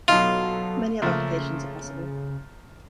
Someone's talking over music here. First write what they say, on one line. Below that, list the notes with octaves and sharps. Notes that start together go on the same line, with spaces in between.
Many other applications are possible.
B2 F#3 D#4 F4 A4
C#3 F3 A3 A#3